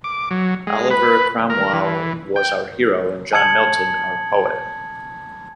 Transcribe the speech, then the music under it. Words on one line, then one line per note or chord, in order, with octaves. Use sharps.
Oliver Cromwell was our hero and John Milton our poet.
D6
F#3
G#3
B4
A#4
E3
G5
G#5 A5 D#6 G#6 C#7 F#7